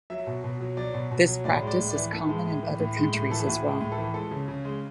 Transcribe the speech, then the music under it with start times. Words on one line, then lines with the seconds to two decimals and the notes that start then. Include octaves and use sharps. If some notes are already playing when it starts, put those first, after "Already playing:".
This practice is common in other countries as well.
0.10 F#3 E5
0.27 B2
0.44 B2
0.61 F#3
0.77 F#3 D5
0.94 B2
1.11 B2
1.28 F#3
1.45 A2 D5
1.62 G#3
1.67 D5
1.78 A2
1.90 D5
1.95 E3
2.12 A2 A4
2.29 G#3
2.46 A2
2.63 E3
2.79 A2
2.96 G#3
3.13 A2
3.30 E3 A4
3.39 G#4
3.47 A2 F#4
3.64 G#3
3.69 G#4
3.81 A2
3.92 A4
3.98 E3
4.14 G#3 A4
4.31 C#3
4.48 C#3
4.65 G#3